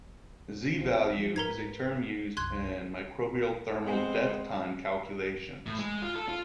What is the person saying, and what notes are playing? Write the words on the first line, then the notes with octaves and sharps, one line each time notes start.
Z-value is a term used in microbial thermal death time calculations.
A#1 C4 F4
F3 F#3
G#2 A#4 B4 A#5 G#6 B6
C2 F#2 C6 F#6 G#6
G#3 B3 C4
A2
G#3
F4
A4
F4